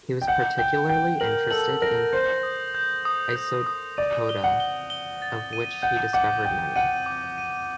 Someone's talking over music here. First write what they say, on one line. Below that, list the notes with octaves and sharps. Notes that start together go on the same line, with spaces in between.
He was particularly interested in isopoda, of which he discovered many.
G5
F#5 G6
G5 G6
G5 G6
A#4 F#7
A4 F#7
A#4 A#6
C5 G6
D#6
G6
D#6
G6
D#6
D5 D#7
G7
F#5
G7
G7
A6
D#7
F#5 G6
F#5 D6
G5 D6
F#5 D#7
D6
D#7